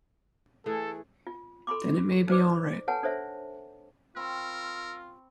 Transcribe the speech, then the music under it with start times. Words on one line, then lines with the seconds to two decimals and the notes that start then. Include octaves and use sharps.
Then it may be all right.
0.66 E3 A3 G#4 A4
1.27 F4
1.67 A4 B5 C6 D6
2.28 D#4 B4 C5 D5 D6
2.88 A4 B4 C#5 F#5 G#5 A5
3.03 D4 A4 C5 C#5 E5
4.16 C4 F4 A#4 B5 C#6 E6